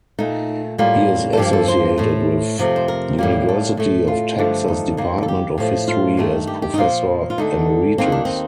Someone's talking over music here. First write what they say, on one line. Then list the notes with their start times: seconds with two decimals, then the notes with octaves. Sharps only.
He is associated with University of Texas’ Department of History as Professor Emeritus.
0.19 A#2 A3 D#4
0.78 A2 G3 A#3 F4
1.33 A4
1.37 G2 F3 A#3 G4
1.53 A4
1.68 C5
1.98 A2 A3
2.58 F2 C3 F3 A3
2.76 C5
2.88 A#4
3.18 A2 G3 A#3
3.49 A4
3.77 A2 A3
4.08 F4
4.38 G2 D3 F3 A3
4.68 D#4
4.97 D#2 D#3 A#3
5.23 A4
5.28 G4
5.58 A2 F3 A3
5.88 F4
6.17 G2 D#3 A3
6.47 G4
6.62 G4
6.74 D#4
6.78 A#2 F3 A#3 F4
7.30 F4
7.38 D2 D3 A3 D#4
7.98 D#2 D#3 A#3 C4
8.12 D4
8.25 C4